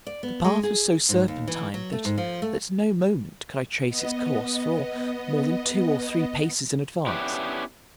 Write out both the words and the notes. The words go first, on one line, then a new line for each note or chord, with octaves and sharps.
The path was so serpentine, that at no moment could I trace its course for more than two or three paces in advance.
D5
B3
G#3
G#4
G#2
D#2
E3
F#3
A3
G#2
F3
A3
B3 D#5
B3 C#4 D4 E4 G4